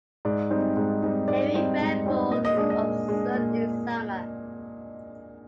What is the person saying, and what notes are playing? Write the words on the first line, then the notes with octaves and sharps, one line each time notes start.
Heavy rainfall is observed in summer.
G#2 D5
G3 C4 D#4
G#2
G3 C4 D#4
G#2 D5
G3 C4 D#4
G#2
G3 C4 D#4
A#2 D#5
D#5
G#3 D4 D#5
D#5
A#2
G#3 D4
A#2